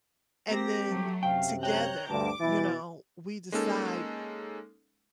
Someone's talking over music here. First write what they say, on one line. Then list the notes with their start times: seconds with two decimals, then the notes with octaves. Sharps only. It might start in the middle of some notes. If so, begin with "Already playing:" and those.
and then together, you know, we decide
0.49 A#3 C4 G4 A#6
0.87 F#3 A3
1.23 F#2 C3 F5 G5
1.63 C#5 G5 A#5 F#6 G6
2.08 D2 G2 A5 D6
2.41 B2 E3 E4 A6
3.52 G#3 A#3 C#4 D#4 A4